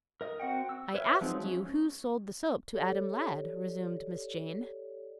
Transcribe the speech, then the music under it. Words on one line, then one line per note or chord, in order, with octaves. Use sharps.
"I asked you who sold the soap to Adam Ladd?" resumed Miss Jane.
A#4 D#5
C4 F#4 F#5 G5
E6
B4 C#5 E5 F6
F3 F#3 G#3 C4 D#4
C#4
G4 A4 C#5 D5